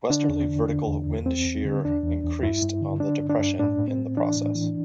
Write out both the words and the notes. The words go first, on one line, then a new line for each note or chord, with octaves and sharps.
Westerly vertical wind shear increased on the depression in the process.
D3 D4
E2
D3
D3
E2
E2
E2 C4
E2
D3
E2 D4
E2
E2
G2 E4
G2
D3
D3 D4
G2
D4
G2
A2 D4
A2
C4
A2
E3 D4
A2
E3